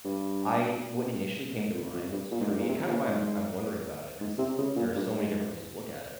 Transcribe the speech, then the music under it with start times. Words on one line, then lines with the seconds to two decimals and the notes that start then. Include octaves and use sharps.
I what initially came to mind for me and kinda why I'm I'm wondering about it 'cause there are so many different ways to look at it.
0.05 G2
1.56 G#2
1.74 F2
1.94 F2
2.12 G2
2.32 A#2
2.41 G#2
2.50 G2
2.59 A#2
2.69 C3
2.88 A#2
3.07 G#2
4.20 G#2
4.38 C3
4.58 C#3
4.76 A#2
4.96 G2
5.15 G#2